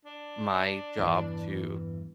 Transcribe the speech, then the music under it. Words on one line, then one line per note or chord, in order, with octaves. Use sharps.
my job to
D4
E2 G2 E3